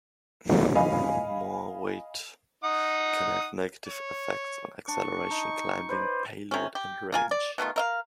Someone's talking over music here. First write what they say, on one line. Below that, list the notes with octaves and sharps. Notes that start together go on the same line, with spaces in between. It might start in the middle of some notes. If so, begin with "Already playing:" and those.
More weight can have negative effects on acceleration, climbing, payload, and range.
D#5 F5 G#5 B5
D#4 F#5 D#6
C#5
D4 C#6
D#4
B4 C5 D5
C3 C#4
G4
A#3 F4 G#5
D5
B2 D#3 A3 F4
A#4 E5 F5